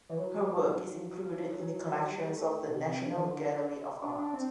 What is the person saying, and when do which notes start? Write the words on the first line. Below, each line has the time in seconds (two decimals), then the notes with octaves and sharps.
Her work is included in the collections of the National Gallery of Art.
0.09 E3
0.18 F#3
2.10 G3
2.31 A3
2.67 B2
2.74 C3
3.05 D3
3.15 E3
3.25 D3
4.02 D4
4.18 D4
4.34 C4